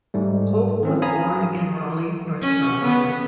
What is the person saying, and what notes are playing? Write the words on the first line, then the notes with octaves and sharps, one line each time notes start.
Hoch was born in Raleigh, North Carolina.
G#2 G3 A3
D#3 C4 C#4
F5 G#5 A#5 B5 D#6
C#4
B3